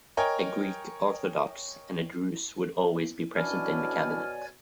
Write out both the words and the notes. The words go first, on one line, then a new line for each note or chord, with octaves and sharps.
A Greek Orthodox and a Druze would always be present in the cabinet.
A#4 C#5 D#5 G5 G#5
B2 C#4 D4 E4 C#5 D5 G#5 F6